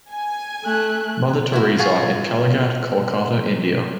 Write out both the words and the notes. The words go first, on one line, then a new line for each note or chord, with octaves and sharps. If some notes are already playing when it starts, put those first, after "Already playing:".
Mother Teresa in Kalighat, Kolkata, India.
G#5
A3 F#6
E4 F#4
F4 G#4 F#5 C#6